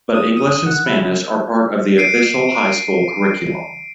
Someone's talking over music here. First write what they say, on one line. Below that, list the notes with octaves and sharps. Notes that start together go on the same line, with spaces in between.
But English and Spanish are part of the official high school curriculum.
D#6
D#6
F#5
E4
C7 D7 D#7